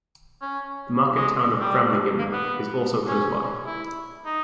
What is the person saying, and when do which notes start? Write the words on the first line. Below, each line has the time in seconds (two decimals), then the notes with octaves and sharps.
The market town of Framlingham is also close by.
0.42 C#4
1.15 G#3
1.60 G3
2.18 A#3
2.33 B3
3.08 C#4
3.66 E4
4.26 D#4